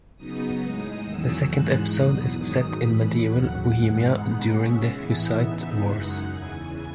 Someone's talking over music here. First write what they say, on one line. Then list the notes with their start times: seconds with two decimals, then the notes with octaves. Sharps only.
The second episode is set in Medieval Bohemia during the Hussite Wars.
0.16 C#3 F#3 B3 D#4 D#6
0.60 A2 G#3 D#4
1.03 E2 D#3 F#3 C#4 E6
1.47 G#2 E3 G#3 D#4 F#6
1.91 E2 B2 F#3 D#6
2.35 G#2 D#3 F#3
2.78 A2 E3 A3 B5
3.22 D#2 C#3 F#3 F#5
3.66 G#2 E3 G#3
4.10 B2 G#3 B3 D#4
4.53 C#3 G#3 C#4 E5
4.96 A2 E3 B3 E5
5.41 C#3 E3 B3 D#4 E5
5.84 F#2 C#3 G#3 D#4 F#5
6.29 E2 C#3 E3 G#5